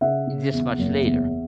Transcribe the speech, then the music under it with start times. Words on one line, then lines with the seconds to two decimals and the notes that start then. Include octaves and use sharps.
this much later.
0.01 C#3 E5 F#5
0.27 C#3
0.53 E2
0.79 F#1
1.05 E2